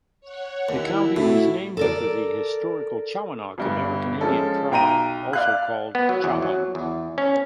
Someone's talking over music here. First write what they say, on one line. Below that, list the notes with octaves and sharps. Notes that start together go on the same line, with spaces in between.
The county was named after the historical Chowanoc American Indian tribe, also called Chowan.
C#5 F#5
D#2 E4
A2 F#4
A4 A#4 D5
G1 G2
F3 G#3 C#4 A4
B1 G5 A#5 D#7
D5 F5 F#6
B3
F#3
E2
F#3
E2
C#4